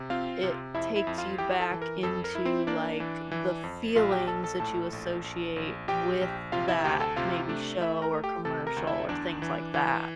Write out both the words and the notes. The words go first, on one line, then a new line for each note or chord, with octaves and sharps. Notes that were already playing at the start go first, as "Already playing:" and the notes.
it takes you back into, like, the feelings that you associate with that, maybe, show, or commercial, or things like that.
Already playing: C3
C4 F4 F5
C3
F2 E4 E5
E4 E5
F2
F4 F5
E4 G4 G5
A4 A5
E3
A#4
F2 A4
A#4
E4
C4 C5
A#3 D4 D5
E3
E3
F2
A#1 F4 F5
G4 G5
A#1 A4 A5
A4 A5
A2 A4 A5
A#1
A#1
A#1
A#1 G4 G5
A#1
C3 F4 F5
E4 E5
D2 G4 G5
A4 A5
C3 F4 F5
A3 D4 D5
A3 E4 E5
A#4 A#5
A3
G4 G5
C3 A4 A5
A#4 A#5
D2
E4 E5
E2 D4 D5
E3
E3